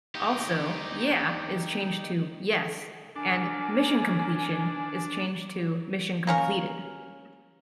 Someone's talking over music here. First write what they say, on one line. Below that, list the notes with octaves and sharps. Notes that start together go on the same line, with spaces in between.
Also 'Yeah' is changed to 'Yes' and 'Mission Completion' is changed to 'Mission Completed'.
D#4 G4
D4 A#4 G#5
A#3 C#4 A#4